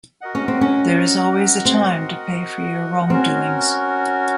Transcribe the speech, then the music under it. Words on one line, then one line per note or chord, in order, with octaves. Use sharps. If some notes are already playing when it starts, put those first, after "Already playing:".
There is always a time to pay for your wrongdoings.
F#4 A#4 D#5 F#5
C#4
C4
C#4
C4
C4 C#4 F#4 A#4